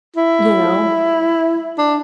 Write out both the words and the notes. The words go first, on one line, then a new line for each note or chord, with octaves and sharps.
you know?
E4
D4